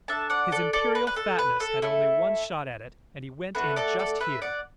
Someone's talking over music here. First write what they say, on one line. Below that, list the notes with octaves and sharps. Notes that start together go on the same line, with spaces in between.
"His Imperial Fatness had only one shot at it; and he went in just here!"
D4 A4 E5 A5
D5 F#5
A4 D5
A4 D5
B4
B4
A4
B4
A4
A3 E4 A4
A3 D4 F#4 A4 B4
A4 D5
A4 D5
B4 E5
D5 F#5